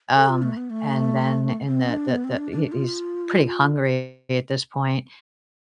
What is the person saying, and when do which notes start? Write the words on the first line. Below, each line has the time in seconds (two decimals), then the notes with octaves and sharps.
um, and then in the the the he he's pretty hungry at this point,
0.15 A4
0.29 F4
0.42 A3
0.57 B3
0.70 A3
1.69 C4
1.90 D4
2.09 B3
2.24 C4
2.38 D4
2.52 D4
2.72 F4